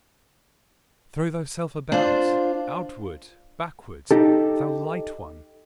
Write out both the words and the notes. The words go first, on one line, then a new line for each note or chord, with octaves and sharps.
Throw thyself about,--outward, backward, thou light one!
D4 F4 C5
D#4 G4 A4